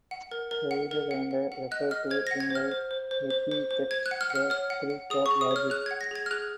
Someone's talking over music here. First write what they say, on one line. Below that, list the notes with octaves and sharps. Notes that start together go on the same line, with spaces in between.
Friedlaender referred to him by epithet the "Krupp of logic".
F#5
A#4
A#4
F#5
A#4
F#5
F#5
F#5
D#5 F#6
D#5 F6
C5 G#6
F#5 A#6
G#6
C5
F6
C5
C5
C5
C5
C5
C5
C5 G#6
F#6
F#5
F6
F#5
F6
C#5 F6
F#5
F#5
G#4 D#6
C#6
G#4
D#6
C#5 F6
G#4 F#6
F#5 G#6
A#6
G#4 G#6
F6
G#4 F#6